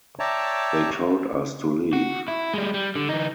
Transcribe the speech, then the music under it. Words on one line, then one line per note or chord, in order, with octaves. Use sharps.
They told us to leave.
C#5 D5 E5 G5 A5 A#5
F#4
E4
G3 G#3
G3
D3
E3 D#4